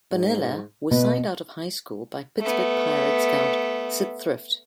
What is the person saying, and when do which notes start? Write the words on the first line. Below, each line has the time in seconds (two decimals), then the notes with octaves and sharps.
Bonilla was signed out of high school by Pittsburgh Pirates scout Syd Thrift.
0.11 G#2
0.91 B2 B4
2.41 A3 B3